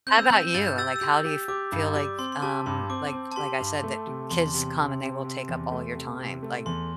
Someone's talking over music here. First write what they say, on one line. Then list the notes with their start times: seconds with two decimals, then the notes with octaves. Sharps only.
How about you? Like, how do you feel like, um, like like I said, that kids come and they will take up all your time, like,
0.07 C4 G6
0.18 E6
0.30 C4 G6
0.54 G2 A6
0.66 G6
0.78 G4 E6 A6
0.96 E6
1.01 G4 G6
1.25 G4
1.48 G4 D6
1.72 G2
1.95 G3 D6
2.19 C4 C6
2.32 C6
2.42 G4 A5
2.66 G2 C6
2.90 C4 D6
3.13 C4
3.31 A5
3.36 G4 C6
3.60 G2
3.83 A3
4.07 C3
4.31 E2 C6
4.54 C3
4.78 C3
5.01 C3
5.24 C3
5.49 E2
5.72 A3
5.95 C3
6.19 C3
6.43 A3
6.66 E2 C6